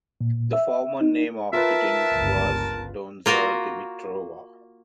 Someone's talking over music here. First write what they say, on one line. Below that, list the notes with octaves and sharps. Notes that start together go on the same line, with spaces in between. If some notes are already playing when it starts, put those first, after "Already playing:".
The former name of Tutin was Donja Dimitrova.
A#2
E5
D#4
F4 A#4 B4 E5 A5
G1 C#2
A#3 F4 F#4 A#4